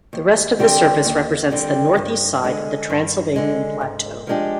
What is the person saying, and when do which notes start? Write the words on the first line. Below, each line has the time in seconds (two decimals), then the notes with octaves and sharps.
The rest of the surface represents the North-East side of the Transylvanian Plateau.
0.13 D#2
0.59 D3 G3 C4 G4
1.05 D#2
1.51 D3 G3 C4 G4
1.97 G2
2.44 D3 G#3
2.90 G2
3.36 D3 G#3
3.81 G#2
4.27 F3 G#3 D4 G4